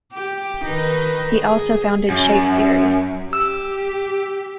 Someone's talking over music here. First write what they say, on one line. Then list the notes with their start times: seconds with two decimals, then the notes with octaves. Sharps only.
He also founded Shape theory.
0.13 G4
0.64 D#3 D#4 B4
1.38 G#4
2.10 F#2
3.33 G4 E6